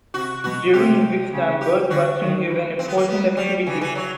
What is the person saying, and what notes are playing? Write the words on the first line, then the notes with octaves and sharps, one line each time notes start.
During this time bird watching is an important activity.
C3 F#4
B2 F#4
C3 G4
C#3
G4
D3 F#4
D#3
E3
F3 C4
B3
A#3
G3 B3
F#3 G3
C#3 E3
E3
F#3